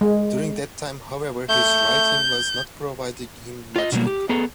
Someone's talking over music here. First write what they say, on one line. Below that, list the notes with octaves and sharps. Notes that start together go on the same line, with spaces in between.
During that time, however, his writing was not providing him much income.
G#3
A3 G6
F4 D#5
B2 D3 F#3 G3 A#3
G4
B3 G#4 A4 A#5